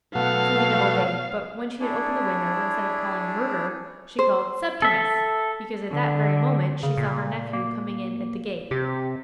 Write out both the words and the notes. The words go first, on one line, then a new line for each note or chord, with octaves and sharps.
Selina obeyed; but when she had opened the window, instead of calling 'Murder!' she called 'Septimus!' because at that very moment she saw her nephew coming in at the gate.
B2 F#3 A3 F5
D4 E4 G#4 C#5 D5
C5
A4 E5
D3
C#3
A#2
A#3
C3 G4